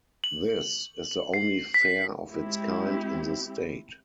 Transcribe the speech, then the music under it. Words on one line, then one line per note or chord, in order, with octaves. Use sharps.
This is the only fair of its kind in the state.
F#7
F#7
C7
B6
G#3 C4 E4 G4